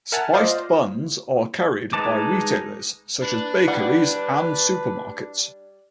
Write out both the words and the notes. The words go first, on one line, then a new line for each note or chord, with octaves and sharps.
Spiced buns are carried by retailers such as bakeries and supermarkets.
A#4 E5 F#5 G#5 A5 F6
F4 C5 D5 D#5 F5
G#3 D#4 B4 A5 D6
D4 B4
G3 D5 F#5